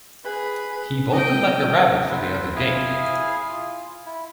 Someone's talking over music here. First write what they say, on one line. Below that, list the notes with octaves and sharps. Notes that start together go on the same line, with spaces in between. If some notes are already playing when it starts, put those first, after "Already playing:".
He bolted like a rabbit for the other gate.
G#4 B4 B5
D#5 G5
B4 C5
E4 G#4 F5 G#5
F4
E4